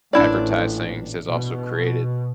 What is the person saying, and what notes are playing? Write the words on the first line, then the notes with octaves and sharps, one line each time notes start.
advertisings has also created,
A1 A#2 D4 E4 D5
B2